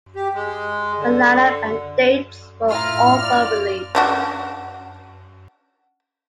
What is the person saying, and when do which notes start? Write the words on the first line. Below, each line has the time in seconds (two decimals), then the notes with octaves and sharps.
The lineup and dates were also released.
0.16 G4
0.34 G#3
0.98 D3
2.70 A2 E4 F4 A#5 F6
3.20 D5
3.95 C#4 D4 F#4